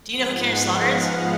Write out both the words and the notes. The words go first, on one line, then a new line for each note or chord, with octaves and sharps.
Do you know who Karen Slaughter is?
G#2 F3 G#3 B3 F#5
F5
D#5